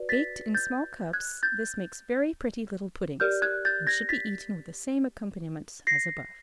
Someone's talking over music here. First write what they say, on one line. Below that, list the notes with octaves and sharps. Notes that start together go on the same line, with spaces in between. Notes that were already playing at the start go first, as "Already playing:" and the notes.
Baked in small cups, this makes very pretty little puddings, and should be eaten with the same accompaniments as above.
Already playing: F#4 B4 D5
A6 B6
G6 A6
F#6 G#6
G6 A6
G4 A#4 D5 F6 G6
F#6 G#6
G6 A6
G#6 A#6
A6 B6
A#6 C7